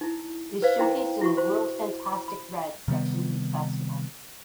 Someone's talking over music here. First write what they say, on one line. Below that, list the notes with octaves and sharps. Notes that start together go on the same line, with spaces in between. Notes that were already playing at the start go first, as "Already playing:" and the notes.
It is showcased in the World Fantastic Red sections of the festival.
D#4 E4
B4 C5 D5 F5
D#4 E4 G5 A#5 C6
E4 F#4 C#6
C5 C6
B5
C3 D#3 G3 B3